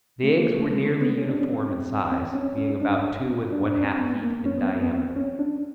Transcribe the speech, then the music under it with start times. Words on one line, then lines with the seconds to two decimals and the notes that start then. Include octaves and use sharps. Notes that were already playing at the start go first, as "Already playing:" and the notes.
The eggs were nearly uniform in size being about two and one-half feet in diameter.
0.23 A3
0.38 A#3
0.54 A3
0.70 G#3
0.85 A3
1.01 B3
1.18 C#4
1.29 D4
1.41 C#4
1.52 C4
2.12 C4
2.35 C#4
2.58 C#4
2.81 D4
3.52 D4
3.67 D4
3.83 C4
3.99 B3
4.22 A#3
4.46 C#4
4.58 B3
4.69 C4
4.81 B3
4.93 C4
5.16 C#4
5.39 D4